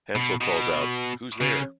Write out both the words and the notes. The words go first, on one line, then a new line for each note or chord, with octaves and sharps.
Hansel calls out, Who's there?
B2
B2
C#3